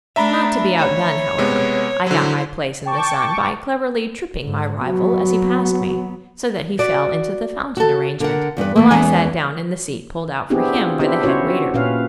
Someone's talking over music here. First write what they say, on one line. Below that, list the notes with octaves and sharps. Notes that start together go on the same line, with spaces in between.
Not to be outdone, however, I got my place in the sun by cleverly tripping my rival as he passed me, so that he fell into the fountain arrangement, while I sat down in the seat pulled out for him by the head waiter.
A3 D4 E5 A#5 B5
C#5
C3 G#3 B3
D3 F#3 E4 C5
G5 A5 C#6 D6
G#2
F#3 B3 F#4
F#4 D5
F#4 A4
D3 A#4 F#5
E2 G2 G3 B4
E3 A3 A#3
E2 E3 G#3 B3 C#4 G#5
B3 C4 D4 E4 G4 G#4
F4
B3 D4 E4 G4 B4 C5
C#4 E4 F#4 C5 C#5
A#2 C#4 B4 F5